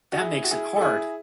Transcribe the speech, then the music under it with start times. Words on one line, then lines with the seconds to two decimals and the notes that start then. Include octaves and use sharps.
That makes it hard!
0.12 F#4
0.20 E4 G#4
0.44 F#4
0.51 E4 G#4
0.76 A4
0.81 E4 G#4